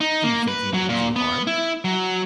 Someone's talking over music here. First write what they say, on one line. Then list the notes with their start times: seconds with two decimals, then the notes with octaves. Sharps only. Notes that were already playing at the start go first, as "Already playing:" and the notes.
"Do you think he means you harm?"
0.01 D#4
0.24 A#3
0.48 B4
0.74 F#3
0.89 A#2
1.16 B3
1.47 E4
1.84 F#3